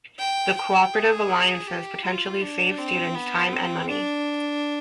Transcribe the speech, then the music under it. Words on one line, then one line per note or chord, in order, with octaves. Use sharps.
The Cooperative Alliances potentially save students time and money.
G5
G5
G#4
G4
F4
D4
C4
B3
C4
D4